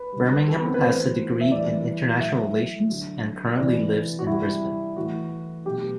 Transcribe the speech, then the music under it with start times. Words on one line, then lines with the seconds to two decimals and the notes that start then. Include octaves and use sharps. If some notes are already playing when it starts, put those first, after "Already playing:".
Birmingham has a degree in international relations and currently lives in Brisbane.
Already playing: B4
0.13 D3 G3
0.48 A4
0.56 B3
0.66 C4
0.74 B4
0.82 A2 E3 A3 C5
1.41 E5
1.52 A2 E3 G3 D5
2.20 A2 F#3 A3 E5
2.89 D3 F#3 A3
3.58 C3 E3 A3 D5
4.19 F#4
4.27 C3 G3 E4
4.96 A2 E3 A3 F#4
5.65 B2 F#3 A3 G4